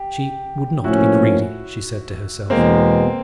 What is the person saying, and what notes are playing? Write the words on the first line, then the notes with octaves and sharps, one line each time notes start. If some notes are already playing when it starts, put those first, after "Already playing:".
She would not be greedy, she said to herself.
Already playing: G4
A2 F3 A#3 C#4 E4 F#4
E2 B2 G#3 A#3 C4